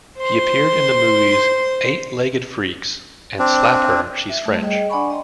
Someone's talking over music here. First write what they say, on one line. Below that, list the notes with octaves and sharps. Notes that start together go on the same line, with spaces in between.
He appeared in the movies "Eight Legged Freaks" and "Slap Her... She's French".
C5 C6
C4 D4
E5
G3 A3
G#4 D#5 G5
D4 D5 F#5 G#5 B5 C#6
D#5 G5 A#5 C6